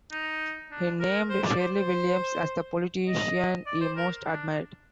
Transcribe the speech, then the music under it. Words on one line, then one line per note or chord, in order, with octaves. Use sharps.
He named Shirley Williams as the politician he most admired.
D#4
D4
A#4
C5
D5
C5
C5
D#5
D5
C5
A#4
D4